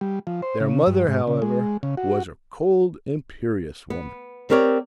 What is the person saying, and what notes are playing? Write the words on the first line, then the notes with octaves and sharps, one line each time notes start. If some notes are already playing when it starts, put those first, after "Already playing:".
Their mother, however, was a cold, imperious woman.
G3
F3
C5
C#3
G2
G#2
C#3
G#3
C#3
F#4
B3
C4 G4 A#4 C#5 D5